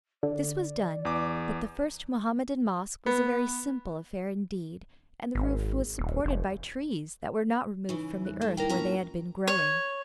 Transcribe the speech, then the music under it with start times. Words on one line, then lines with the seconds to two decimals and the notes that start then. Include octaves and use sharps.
This was done, but the first Mohammedan mosque was a very simple affair indeed and the roof was supported by trees that were not removed from the earth where they had been growing.
0.23 D3 D5
1.05 E2 D6
3.06 B3
5.35 G#1
5.99 D#1
6.24 F1
7.89 C#3 E3 D#4 C#6
8.22 E2 G3 F#6
8.41 A3
8.57 D#3 A#3 E4 A#4 G5
8.69 A2 A#3 C#4 D4 F4 A#5
9.47 C#5